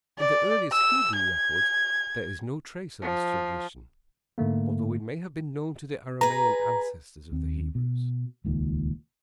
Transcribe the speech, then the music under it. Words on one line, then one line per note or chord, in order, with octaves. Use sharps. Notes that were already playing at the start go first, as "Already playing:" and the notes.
In the earliest Hebrew records there is no trace of this tradition, although it may have been known to the Aramean ancestors of the Hebrews.
D5
E6
G#6
F3
G#2 D3 A3 A#3
G#4 B4 A#5
D#2 C4
B2
D#1 C#2 A#2 D#3